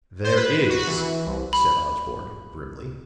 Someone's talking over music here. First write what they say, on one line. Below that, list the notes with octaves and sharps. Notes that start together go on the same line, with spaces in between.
"There is," said Osborne, grimly.
C5
B4
F#4
E3
C2
B5